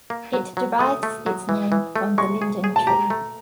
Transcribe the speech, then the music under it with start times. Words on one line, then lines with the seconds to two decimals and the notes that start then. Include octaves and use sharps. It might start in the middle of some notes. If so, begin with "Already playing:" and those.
It derives its name from the Linden Tree.
0.10 A#3
0.33 F#3
0.57 F#3
0.79 A3 D#6
1.03 A3
1.26 F#3
1.49 E3
1.72 E3
1.96 A3
2.18 G#3 C#6
2.42 G#4
2.64 G#4
2.76 A5
2.87 G4 A#5
3.10 A3